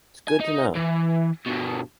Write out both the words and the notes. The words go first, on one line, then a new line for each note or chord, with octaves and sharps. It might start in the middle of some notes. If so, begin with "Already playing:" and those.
It's good to know.
G#5
D#4
E3
G2 B2